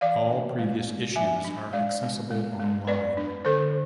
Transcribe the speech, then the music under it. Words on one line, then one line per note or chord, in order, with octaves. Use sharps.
All previous issues are accessible online.
E3 D5 F5
D4
G#3
B3
F3 E5 G#5
D4
G#3 D5 F5
B3
G#3
G#3
B3 B4 D5
D4
D3 A4 C5